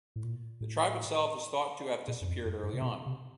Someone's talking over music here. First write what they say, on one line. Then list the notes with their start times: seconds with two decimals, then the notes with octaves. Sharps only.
The tribe itself is thought to have disappeared early on.
0.16 A2
0.24 A#2
0.61 A2
2.08 A#2
2.21 F#2
2.27 F2
2.45 F#2
2.63 G2
2.73 C3
2.82 B2
3.06 C3